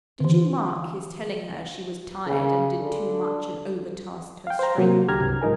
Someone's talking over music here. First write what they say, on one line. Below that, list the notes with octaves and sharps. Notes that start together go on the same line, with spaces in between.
'Did you mark his telling her she was tired and did too much, and overtasked her strength?'
D3 E3
C#3
D3
F5 G5
C5 A#5
C3 F#3 A#3
C#2 D3 G4 A#5 F6 G#6
C2 G2
G#2 F3 D#4 A#4 G#5